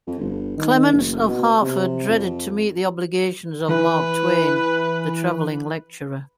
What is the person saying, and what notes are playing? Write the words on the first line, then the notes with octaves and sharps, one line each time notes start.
Clemens of Hartford dreaded to meet the obligations of Mark Twain, the traveling lecturer.
F2
G1
D#3
F#1
B2
C3
F2
E3 B4